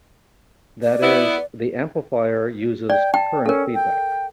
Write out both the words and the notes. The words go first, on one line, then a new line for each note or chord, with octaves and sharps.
That is, the amplifier uses current feedback.
D5
B3 E4
D5 G5
G5 A5
C#4 A4 A#4
G5